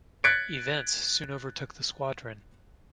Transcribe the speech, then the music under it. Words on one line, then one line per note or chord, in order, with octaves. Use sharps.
Events soon overtook the squadron.
F#6 G#6 A6 B6 C#7 D7